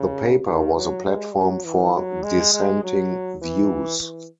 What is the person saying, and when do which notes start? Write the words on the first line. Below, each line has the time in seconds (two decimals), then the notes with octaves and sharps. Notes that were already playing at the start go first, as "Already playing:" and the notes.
The paper was a platform for dissenting views.
Already playing: C#3
0.47 D#3
0.76 F#3
1.06 G#3
1.35 F#3
1.65 E3
1.94 F#3
2.23 G#3
2.53 G#3
2.83 F#3
3.42 E3
4.00 E3